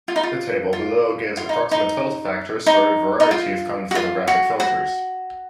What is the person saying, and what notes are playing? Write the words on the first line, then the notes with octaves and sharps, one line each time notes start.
The table below gives approximate filter factors for a variety of common photographic filters.
F4
D#4
F4
F4
F4
D#4
D#4
D#4
D#4
F4
F#4
F4
F#4
F#4